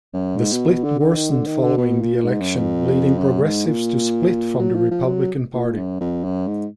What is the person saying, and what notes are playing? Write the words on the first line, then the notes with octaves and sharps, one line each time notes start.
The split worsened following the election, leading progressives to split from the Republican party.
F#2
G#2
B2
B2
D3
D3
D#3
D3
D#3
D3
B2
A#2
G#2
F#2
F2
F#2
G#2
A#2
F#3
F3
F3
F#3
A#2
F#2
F2
F#2
G#2